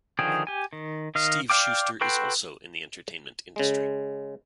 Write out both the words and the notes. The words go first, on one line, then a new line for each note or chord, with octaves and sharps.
Steve Shuster is also in the entertainment industry.
D3 D#3 F3 G#4 G5
G4 G#5
D#3
D#3 D#5 F5
D5 F5 G5 D6
F#4 A4 B4 G5 C6
C#3 G#3